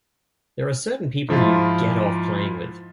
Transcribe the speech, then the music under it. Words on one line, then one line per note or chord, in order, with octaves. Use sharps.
There are certain people you "get off" playing with.
G#2 F3 E4 F4